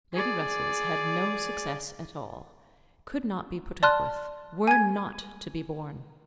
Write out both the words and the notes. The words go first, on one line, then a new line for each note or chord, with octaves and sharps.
Lady Russell's had no success at all: could not be put up with, were not to be borne.
G#4 D5
D5 A5 C6 F6 F#6
G#5 G#6